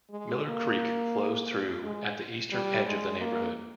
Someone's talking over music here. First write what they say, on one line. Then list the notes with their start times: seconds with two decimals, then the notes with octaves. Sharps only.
Miller Creek flows through at the eastern edge of the neighborhood.
0.10 G#3
0.45 A#3
1.83 G#3
2.52 G3
2.86 G#3
3.21 A#3